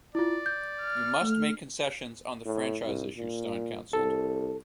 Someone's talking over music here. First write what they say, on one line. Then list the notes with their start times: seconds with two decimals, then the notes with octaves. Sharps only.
"You "must" make concessions on the franchise issue", Steyn counselled.
0.15 E4 F4 D5
0.46 G6
0.81 F6
1.22 A3
2.45 A2
2.85 C2
3.17 A#2
3.93 C2 A4